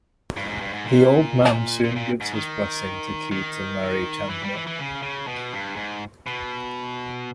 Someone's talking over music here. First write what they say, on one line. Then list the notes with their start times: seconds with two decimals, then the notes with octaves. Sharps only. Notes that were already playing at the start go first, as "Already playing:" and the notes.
The Old Man soon gives his blessing to Kee to marry Chandler.
0.37 G2
0.48 G#2
0.61 G2
0.73 G#2
0.86 A#2
1.84 A#2
1.96 A#2
2.21 G#2
2.33 D#3
3.32 D#3
4.30 E3
4.42 G3
4.54 E3
4.67 E3
4.79 C#3
5.03 C#3
5.28 B2
5.53 G2
5.76 G#2
6.27 B2